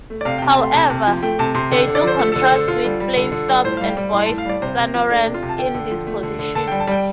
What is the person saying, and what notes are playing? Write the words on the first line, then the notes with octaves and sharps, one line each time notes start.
However, they do contrast with plain stops and voiced sonorants in this position.
A3
D5
C3 F5
C3 G5
A5
A3 C6
C3 A5
C3
F3
A3 G5
C3 A5
C3 C6
D3 G5
D3
D5
F3 C5
A3 A4
D3 A4
C5
D3 A4
D3 F4
G3
G3
D3
D3
G3
A2 C5
G3 F5
G5
G3
A2 C6
A2 A5
F5
G3 D5
C3 C5
C3
F3
A3 D4
C3
F4
C3
A5
D3 G5
D3
F3
A3
D3
D3
D3 A5
G3 G5
A5
G3 G5